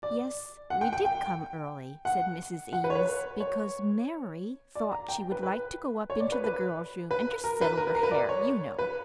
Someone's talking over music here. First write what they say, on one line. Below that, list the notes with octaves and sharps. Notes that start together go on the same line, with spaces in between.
"Yes; we did come early," said Mrs. Eames, "because Mary thought she would like to go up into the girls' room and just settle her hair, you know."
D5
F#5
G5
G5
G5
F#5
F#5
B4
C#5
B4
C#5
D5
A#5
G5
B4
B4
C#5
D5
B4
B4
B4
A#4
B4
A#4
B4
A#4
B4
D5
C#5
B4